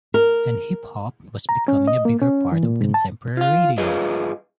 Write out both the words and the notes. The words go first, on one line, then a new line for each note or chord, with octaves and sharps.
And hip hop was becoming a bigger part of contemporary radio.
A#4
A#5
C#4
D#5
A#3
C#4
E3
A#2
G#2
A5
F4 F5
G2 F4 G#4 B4 D#5